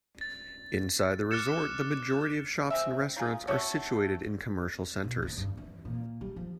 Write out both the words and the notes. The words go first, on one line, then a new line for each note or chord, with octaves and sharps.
Inside the resort, the majority of shops and restaurants are situated in commercial centres.
A6
D6 F6 F#6 A6 C#7 E7
C4 G#4 E5
D#4 F4 G#4
A3 C#4 F#4 C#5
B2
D2
G2
E3
A#2
G3
F3